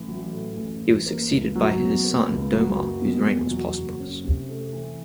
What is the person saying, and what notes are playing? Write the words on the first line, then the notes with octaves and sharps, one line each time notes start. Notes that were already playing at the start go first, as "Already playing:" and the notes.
He was succeeded by his son Domar whose reign was prosperous.
Already playing: A1
F#3
A2
A1
A1
A#3
C#2
F#3
B2
A#3
C#2
F#3
F#1
B2
E2
F#3
F#1
C#4
C3
A3
E3